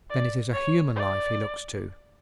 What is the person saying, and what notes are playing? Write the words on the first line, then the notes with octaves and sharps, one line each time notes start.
Then it is a human life he looks to!
D5
C#5
D5